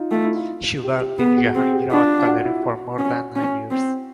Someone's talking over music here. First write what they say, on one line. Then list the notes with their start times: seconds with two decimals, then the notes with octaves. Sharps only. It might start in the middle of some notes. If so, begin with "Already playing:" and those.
She worked in Jahangir Art Gallery for more than nine years.
Already playing: D#4 F4
0.11 A3 F4
0.24 E4
0.36 F4
0.83 G4
1.01 G4
1.19 B3 G#4
1.37 F#4
1.55 C4 G#4
1.73 G4
1.91 D4 F4
2.19 F4
2.27 F#4
2.45 E4
2.63 F#4
2.98 C#4
3.36 C#4
3.71 C4